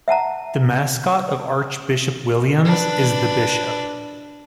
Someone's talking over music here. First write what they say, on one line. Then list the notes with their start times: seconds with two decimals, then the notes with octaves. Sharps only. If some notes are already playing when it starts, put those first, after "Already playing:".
The mascot of Archbishop Williams is The Bishop.
0.08 E5 F#5 A5 A#5
2.65 D4 B4